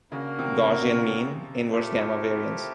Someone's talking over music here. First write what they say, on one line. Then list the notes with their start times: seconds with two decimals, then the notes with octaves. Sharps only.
Gaussian mean, inverse-gamma variance.
0.11 C#3 A#3 D4 F#4 A#4
0.39 C3
0.65 B2
1.71 A#2 A3 C4 E4 G4 A#4